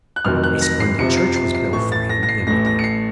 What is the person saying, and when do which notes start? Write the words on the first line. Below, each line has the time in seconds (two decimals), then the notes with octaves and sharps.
A splendid church was built for him in Medina.
0.16 F#6
0.25 F1 F2 D#3 F#3 F6
0.44 F#6
0.61 A#6
0.80 C7
0.99 F#1 F2 C3 F3 C#7
1.17 C7
1.36 C7
1.55 C7
1.73 A1 A2 A3 C#6
1.92 A6
2.09 A#6
2.23 A#6
2.29 C7
2.47 A1 A2 A3 A#6
2.66 A#6
2.79 C#7
2.84 C7